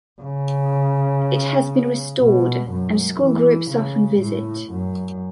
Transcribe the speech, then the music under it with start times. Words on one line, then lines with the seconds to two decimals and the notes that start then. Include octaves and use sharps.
It has been restored, and school groups often visit.
0.22 C#3
2.21 B2
2.71 F#2
3.20 E3
3.70 C#3
4.20 A2
4.71 F#2